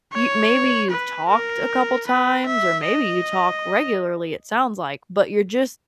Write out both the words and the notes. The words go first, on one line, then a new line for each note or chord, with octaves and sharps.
y maybe you've talked a couple times- or maybe you talk regularly, it sounds like- but you're just
C#5
B4
A#4
B4
E5
D#5